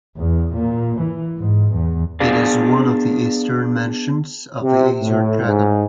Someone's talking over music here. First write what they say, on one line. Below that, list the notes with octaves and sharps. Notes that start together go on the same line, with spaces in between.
It is one of the eastern mansions of the Azure Dragon.
E2
A#2
E3
G#2
E2
B3 D4 G#4 D5 F5
C3
A2
G#2